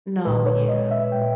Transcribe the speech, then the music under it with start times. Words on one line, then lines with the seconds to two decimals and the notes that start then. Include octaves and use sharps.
No, yeah.
0.24 B1 A#2 G#3 B4
0.46 C#5
0.68 D#5
0.91 E5
1.12 A#2 G#3 G5